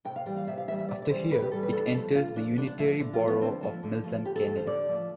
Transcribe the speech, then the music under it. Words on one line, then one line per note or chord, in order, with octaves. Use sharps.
After here it enters the Unitary borough of Milton Keynes.
C3 G5
F5
E3 G3 G5
F5
C3 E5
F5
E3 G3 E5
E5
C3 D5
D5
E3 G3 C5
C3 B4
G4
E3 G3 A4
B4
D3 A4
F3 A3 A4
D3 F4
F3 A3 D4
D3 D4
D4
F3 A3 E4
D3
F4
F3 A3
B3
D3 C4
F3 A3
D3
F3 A3
D3 G4
A4
F3 A3 A4
C5
D3 D5
F3 A3